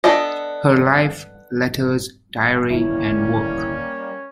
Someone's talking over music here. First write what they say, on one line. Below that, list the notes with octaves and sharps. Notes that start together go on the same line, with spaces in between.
Her Life, Letters, Diary, and Work.
B3 D4 A4 D#5
D1 G#1 G2 G3 A#3 C#4 E4